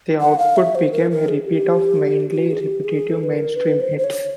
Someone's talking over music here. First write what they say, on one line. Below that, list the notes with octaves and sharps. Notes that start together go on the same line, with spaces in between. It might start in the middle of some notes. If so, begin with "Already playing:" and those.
The output became a repeat of mainly repetitive mainstream hits.
F#5
F5
E5
C5
A#4
A#4
G#4
G4
G4
F#4
G#4
G4
G#4
A4
B4
A#4
B4
C5
C5
C#5